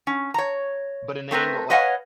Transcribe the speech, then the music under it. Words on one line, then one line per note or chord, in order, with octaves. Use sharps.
but an angle of
C#4
C#5 A#5
A3 C4 A#4 B4
B4 C#5 D#5 F5 F#5 G#5